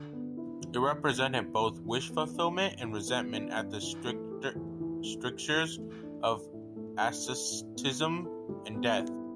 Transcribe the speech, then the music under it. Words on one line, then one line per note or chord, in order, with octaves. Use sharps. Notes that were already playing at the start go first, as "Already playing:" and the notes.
It represented both wish fulfillment and resentment at the strictures of asceticism and death.
Already playing: D3
B3
E4
E2
D3
B3
E4
E2
E3
B3
D4
G2
E3
B3
D4
G2
E3
A3
G4
E2
E3
A3
G4
E2
A3
D4
A4
A2
A3
D4
A4
A2
B3
E4
A4
G3
B3
E4